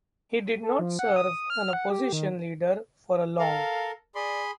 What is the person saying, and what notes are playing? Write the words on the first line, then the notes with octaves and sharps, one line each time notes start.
He did not serve as opposition leader for long.
A4
F3
F#5
D#6
F6
F#5
G4
D#3
A4 A#4 F5
G#4 D5 B5 C6